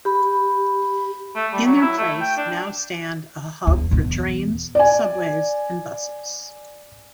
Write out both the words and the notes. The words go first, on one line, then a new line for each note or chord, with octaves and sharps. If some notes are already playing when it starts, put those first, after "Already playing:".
In their place, now stand a hub for trains, subways and buses.
G4 B5
A3
G3
F#3
E4
A3
G5
D4
E2
E2 B2
D5 G#5